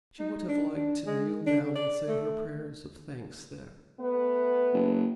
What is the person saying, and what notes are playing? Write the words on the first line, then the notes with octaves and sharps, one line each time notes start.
She would have liked to kneel down and say her prayers of thanks there.
D#4
D4
D4
G#3
D4
D3
D5
A3
A3 B3 B4
F#1